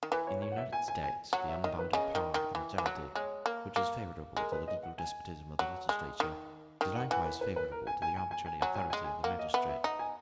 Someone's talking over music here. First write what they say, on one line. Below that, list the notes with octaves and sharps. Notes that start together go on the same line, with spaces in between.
In the United States the unbounded power of the majority, which is favorable to the legal despotism of the legislature, is likewise favorable to the arbitrary authority of the magistrate.
D#3
E3 B4
C#5
C#5
F#5
E5
G#5
G#5
G#5
F#3 F#5
E5
D#3 D#5
B4
C#3 D#5
D#3
D#3
E3
E3
F#3
G#3 C#5
A#3
A#3
G#3 A#4
B4
D#5
F#5
G#5
F#3
G#3
D#3
D#3
F#5
E3 F#5
B4
B4
B4
A#4
G#5
G#5
G#5
G#5
G#5
F#3 G#5
G#5
G#5
G#3
G#5
A#3 F#5
D#5
B3 E5
E5
D#4 F#5
G#5